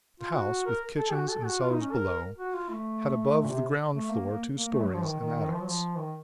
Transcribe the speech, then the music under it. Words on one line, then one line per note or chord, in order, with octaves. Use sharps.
The house, with kitchens and cellars below, had above the ground-floor, two stories and attics.
F4
F#4
A#4
A4
F#4
A4
F#4
F4
D#4
C#4
A#4
F#4
F4
A3
A#2
C3
A3
A#3
A#3
A#3
A3
F#3
F3
D#3
D#3
D#3
F3
F#3
F3
D#3